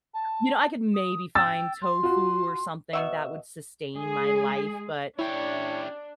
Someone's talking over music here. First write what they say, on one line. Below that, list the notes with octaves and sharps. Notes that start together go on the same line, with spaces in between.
you know, I could maybe find tofu or something that would sustain my life, but
A5
D#6
G5 E6 A6
C6
F4 F#4
B2 F#4 E5
G#3 G#4
C#4 D4 E4 G4 C#5